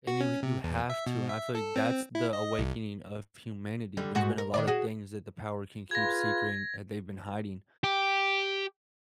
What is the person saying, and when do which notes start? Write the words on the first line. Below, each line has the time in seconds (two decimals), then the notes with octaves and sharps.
And you you have to, and I feel like that's the awakening of humanity. There's been a lotta things that the power can keep secret, and that they've been hiding.
0.07 F#4
0.21 C#4
0.43 C3
0.64 E2
0.90 E5
1.06 B2
1.29 E5
1.55 A4
1.76 C4
2.15 E4
2.33 D#5
2.59 C2
3.97 D3 G3
4.15 G#2 F#4
4.38 A#4
4.54 D#3 D4 D5
4.67 F#4 G#4
5.91 F4 G#4 B4 G#6 A#6
7.84 G4